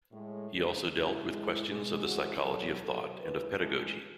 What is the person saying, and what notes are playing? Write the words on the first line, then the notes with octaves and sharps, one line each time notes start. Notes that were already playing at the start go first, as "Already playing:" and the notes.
He also dealt with questions of the psychology of thought and of pedagogy.
A2 G#3
C#3 E3 G#3 D4
C#3 G#3 E4
A2 G#3
B2 G#3
C#3 E3 G#3 F#4
B2 F#3 A4
B2 F#3 A4
C#3 E3 G#3 B4
A2 E3 G#3 A4